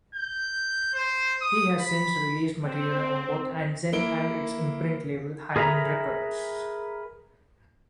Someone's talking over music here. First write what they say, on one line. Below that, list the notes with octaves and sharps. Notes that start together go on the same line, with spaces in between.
He has since released material on both Ant-Zen and its imprint label Hymen Records.
G6
C5
D#6
B5
C4
A#3 E4 D7 G7
G#4 A#4 B4 E5 A#5